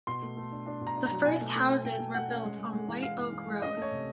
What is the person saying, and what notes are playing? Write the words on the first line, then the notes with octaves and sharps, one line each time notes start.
The first houses were built on White Oak Road.
B2 C6
A3
A3
D4
D4
B2
A#5
D4
F#3 A#5
B2 G#5
A3
A3
A3
B2 G5
A3
A3 F#5
C#4
G#3
G#3
G#3
E3
E3 F5
E3
E3
G#3
C#4 D#5
A3 C#5
C3